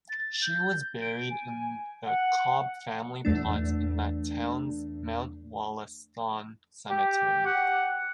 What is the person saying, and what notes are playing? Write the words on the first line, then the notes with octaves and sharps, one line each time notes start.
She was buried in the Cobb family plot in that town's Mount Wollaston Cemetery.
A6
G6
D7
G#5
F#5
E2 A3 D4
G4
F#5